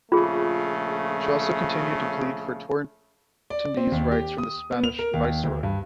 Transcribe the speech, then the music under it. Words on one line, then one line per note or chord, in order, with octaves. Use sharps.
She also continued to plead for Tortonese rights from the Spanish viceroy.
A#1 C#3 A3 F4 G#4
D5
C4
D#2
G4
D#6
B3
F7
A#4
D#2
D2
G2